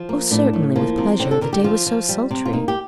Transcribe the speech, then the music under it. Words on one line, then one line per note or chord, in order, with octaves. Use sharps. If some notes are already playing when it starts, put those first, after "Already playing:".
Oh, certainly, with pleasure; the day was so sultry.
Already playing: F3
A#3
A2 D4
A2
F3 A#3
C3
D3 C4
A4
D3 A#4
G4
F3 F4
F3
G3
C3
F4
A#3 D#4
G4